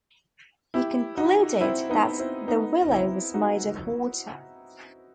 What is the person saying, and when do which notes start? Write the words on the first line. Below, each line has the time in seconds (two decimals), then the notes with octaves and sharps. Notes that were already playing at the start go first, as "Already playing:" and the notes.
He concluded that the willow was made of water.
0.74 E4 G4
1.17 D#4 F#4
1.61 C4 E4
1.90 B3 D#4
2.19 C4 E4
2.48 B3 D#4
2.91 C4 E4
3.34 D#4 F#4